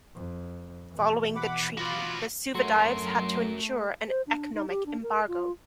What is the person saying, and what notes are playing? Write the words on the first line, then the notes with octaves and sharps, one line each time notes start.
Following that treaty the Suvadives had to endure an economic embargo.
F2
B2 E3
F#5 B5 D6
F4 F#4 D5 B5
F#3 A3 F#4 A#4 C6
C5
D4
D#4
G4
D4
A#4
F4